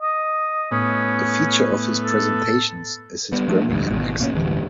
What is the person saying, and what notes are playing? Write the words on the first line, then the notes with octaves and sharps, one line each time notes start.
A feature of his presentations is his Birmingham accent.
D#5
A2 B3 C#4
A4
G3 B3
F3 A3 D4
A1 D2 G2
G#1 B2
B2 A#3 B3 C#4
D1 D2 G2 E3